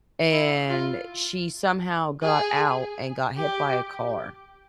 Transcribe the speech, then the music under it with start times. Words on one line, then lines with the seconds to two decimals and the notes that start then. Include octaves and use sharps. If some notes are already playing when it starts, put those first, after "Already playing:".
and she somehow got out and got hit by a car.
0.32 E4
0.70 F4
2.23 G#4
3.37 G4